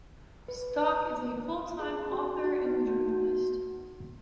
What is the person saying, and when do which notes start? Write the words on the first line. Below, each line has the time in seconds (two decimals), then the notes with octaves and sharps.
Stock is a full-time author and journalist.
0.48 B4
1.79 G#4
2.11 F#4
2.44 F#4
2.65 D#4
2.87 F#4
3.09 F#4